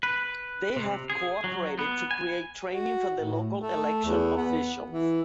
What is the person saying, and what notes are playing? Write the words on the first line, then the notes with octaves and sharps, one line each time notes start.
They have cooperated to create training for the local election officials.
B4
C3
G#4
F#3
B3
G#5
F#4
A2
A3
E2
B3
E3